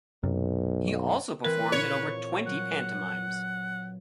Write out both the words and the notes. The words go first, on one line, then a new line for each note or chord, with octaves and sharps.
He also performed in over twenty pantomimes.
B1 F#2 C3
E3 C4 A#4 B4
A#2 C#5
F#3 F#5